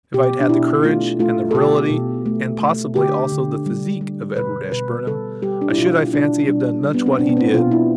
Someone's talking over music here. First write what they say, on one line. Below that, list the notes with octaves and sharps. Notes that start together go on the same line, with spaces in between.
If I had had the courage and virility and possibly also the physique of Edward Ashburnham I should, I fancy, have done much what he did.
B2 G4
D4
B2 E4
A3 F4
A3 F4
A4
B2 G4
B2
A3
A3
D3 G4
D3
G3
G3
B2 B4
B2 B4
G3 A4
G3 G4
D4
E4
B2 F4
B2 D4
G3 D4
G3
B3
C4
B2 D4
B3
C4
B2 F4
E4